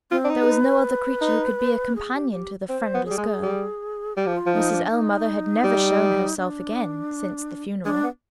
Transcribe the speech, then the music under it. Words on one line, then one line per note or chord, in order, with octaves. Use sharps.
There was no other creature who could be a companion to the friendless girl. Mrs. Ellmother had never shown herself again since the funeral.
C4 F4
D4
D#4
G#4
B4
D#4
G#4
G4
G4
C4 C5
B3
G3 G#4
G#3
G3
G3 G4
F3
F4
F3
D#4
D4
D#4
G3
D4
G#3 D4
B3